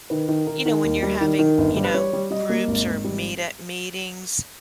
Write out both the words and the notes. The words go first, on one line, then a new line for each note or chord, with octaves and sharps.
you know, when you're having, you know, groups or meet at meetings
D#3 B4
D#3
D#3 A#4
D#3
D#2
G3
D#3
D#3
G1
G3
B4
G3 C#5
G3
G3 D#5
A#3
G#1
G#1
G3